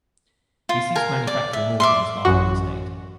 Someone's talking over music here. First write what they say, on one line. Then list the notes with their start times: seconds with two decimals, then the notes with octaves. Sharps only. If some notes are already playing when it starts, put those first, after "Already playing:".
He ceased manufacturing organs after this date.
0.69 F4
0.95 A#4 G#5
1.27 D5
1.53 E5
1.80 D5 E5 C6
2.25 A1 F#2 F#4